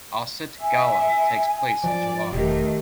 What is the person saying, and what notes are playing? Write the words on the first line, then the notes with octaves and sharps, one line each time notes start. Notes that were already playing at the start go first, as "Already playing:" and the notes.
Ossett Gala takes place in July.
E5 G#5
F3 D5
E1 D#3 A3 G4